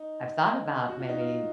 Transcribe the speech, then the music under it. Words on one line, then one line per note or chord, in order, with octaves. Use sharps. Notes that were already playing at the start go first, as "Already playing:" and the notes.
I've thought about maybe
Already playing: D#4
F#4
F4
D#4
F4